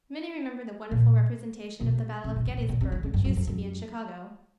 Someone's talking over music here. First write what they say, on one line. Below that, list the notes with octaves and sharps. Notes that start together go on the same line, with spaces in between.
Many remember the wonderful representation of the Battle of Gettysburg which used to be in Chicago.
A#2
B2
C3
B2
B2
A#2
A#2
C3
D3
C#3
G2
F#2
F2
F#2